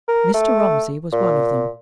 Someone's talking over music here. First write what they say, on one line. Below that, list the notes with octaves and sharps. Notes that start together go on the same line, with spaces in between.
Mr. Romsey was one of them.
A#4
A3
A#2